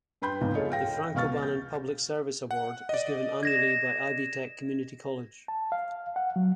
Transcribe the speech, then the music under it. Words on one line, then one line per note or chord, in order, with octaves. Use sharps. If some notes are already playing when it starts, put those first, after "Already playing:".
The Frank O'Bannon Public Service Award is given annually by Ivy Tech Community College.
G2 B4 G5 B5 C6 G6
C#2 G#2 B3 C4
F4 G#4 A4 C#5 D#5
F5 G5 A#6
C#2 B2 F5 C#6 F6 A6
G6
F#5
D5 D#5
G#6 A#6 E7
A5
F5
F#5
F#3